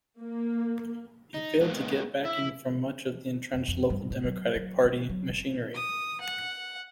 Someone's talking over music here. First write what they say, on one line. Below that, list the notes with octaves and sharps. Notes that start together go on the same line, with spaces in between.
He failed to get backing from much of the entrenched local Democratic Party machinery.
A#3
D#4
G#3 A#3 B3
E4 E5
F2
F2
G2
A2
F#3
F#3
D#3
F#3
G1
D#6
F#5